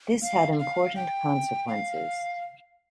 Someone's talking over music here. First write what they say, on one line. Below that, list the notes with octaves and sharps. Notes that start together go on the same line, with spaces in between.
This had important consequences.
F5
F5
G5
F5